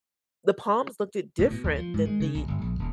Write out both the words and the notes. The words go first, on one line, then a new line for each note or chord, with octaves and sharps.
the palms looked it different than the
A2
B2
D#2
F3
G#2
G#3
C#3
B1
G1
A#1
D#1